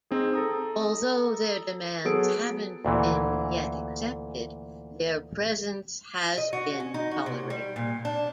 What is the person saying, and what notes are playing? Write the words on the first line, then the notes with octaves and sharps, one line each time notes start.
Although their demands haven't been yet accepted, their presence has been tolerated.
C4 D#4 G#4
A4 A#5 D#6
F#3 B3 G#4 A4 D7
D2 A#2 E3
D#5
F#4
C#4
D#4
F#4
C3
G3
A#2
D4